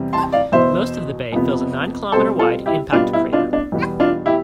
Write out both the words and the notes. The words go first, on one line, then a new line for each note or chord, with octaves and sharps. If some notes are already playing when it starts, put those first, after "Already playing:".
Most of the bay fills a nine kilometer wide impact crater.
Already playing: E2 C3 G3
A5 C6
D5 F5
E2 B2 B3 C5 E5
F2 C3 F3 B3
B2 G3 C4 A4 C5
F4 A4
E4 G4
B2 G3 B3 D4 F4
E4
D4 F4
D4
E2 B2 G3 B3
D4 F4
E4 G4